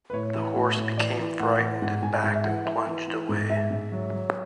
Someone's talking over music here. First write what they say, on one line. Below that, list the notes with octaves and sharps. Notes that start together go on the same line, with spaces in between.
The horse became frightened and backed and plunged away.
B4
A2 C#5
E3
A2
A2
E3 D5
E3
A2 F#5
E3
G#2 F#5
G#2 G#5
G#2
E5
E3 F#5
E3 E5
E3
E3
G#2
G#2 E5
G#2
F#3
F#3